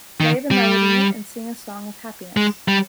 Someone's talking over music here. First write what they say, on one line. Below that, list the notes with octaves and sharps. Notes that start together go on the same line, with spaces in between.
Play the melody and sing a song of happiness.
D#3
G3
G#3
G3